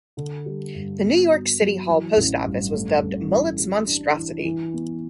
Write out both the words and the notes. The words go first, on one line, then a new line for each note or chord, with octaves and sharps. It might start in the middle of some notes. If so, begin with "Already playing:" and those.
The New York City Hall Post Office was dubbed Mullett's monstrosity.
D3
G3
G2
B3
F#4
F#3
E3
A1
G2
A3
G2
E3
G3
D4
E3
E3
B3